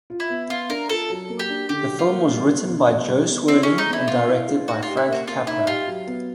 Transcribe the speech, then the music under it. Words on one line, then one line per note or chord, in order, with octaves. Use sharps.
The film was written by Jo Swerling and directed by Frank Capra.
F4
E4
B3
B3 F4
D4 A#4
F4 A4
F#3
A#3
G4
D4
D3 G4
F#3
F4
A#3
G3
B3
B2
B2
G3
B3
C4 E4
C#4 G#4
D#4
B3 E4
B3 F4
E4
G#4
D#4 F#4
F4
G4
E4
A#3 F#4
A#3 F4
D#4 E4
F4 G4
F#3
B3